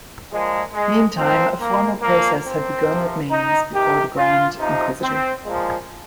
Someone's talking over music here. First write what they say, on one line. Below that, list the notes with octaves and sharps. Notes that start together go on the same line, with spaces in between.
Meantime a formal process had begun at Mainz before the grand inquisitor.
A#2 F3 G#3
G#3
A#2 F3 C4
A#3
A#2 F3 A#3
C4
C3 F3
D#4
C3 D#3 G4
F4
C3 F3 D#4
C4
A#2 F3 G#3